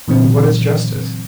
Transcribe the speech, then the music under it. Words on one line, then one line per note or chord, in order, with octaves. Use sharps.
And what is justice?
A#2 D3 E3 F#3 C4